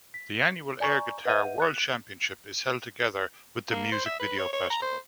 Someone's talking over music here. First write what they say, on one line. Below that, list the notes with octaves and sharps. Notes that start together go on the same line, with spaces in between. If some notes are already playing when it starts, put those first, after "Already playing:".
The annual Air Guitar World Championship is held together with the music video festival.
B6
D5 G#5 A#5 C#6 G6
B4 D#5 E5 F#5 G6 D#7
F#6 C#7
A#3
C5
E5
B4
C#5
C#5
A#5
C5